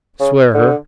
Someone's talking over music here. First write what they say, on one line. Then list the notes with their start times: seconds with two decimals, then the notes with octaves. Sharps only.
"Swear her."
0.20 C#3
0.54 D3